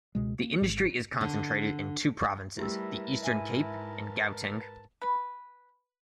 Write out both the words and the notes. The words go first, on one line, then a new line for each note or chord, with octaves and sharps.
The industry is concentrated in two provinces, the Eastern Cape and Gauteng.
C#2 B2 G#3
A#3
G#1 G#2
D3
G3 A3 E4 G4 A#4 B4 A5 E6
G#2 E5 G#5 D#7
B4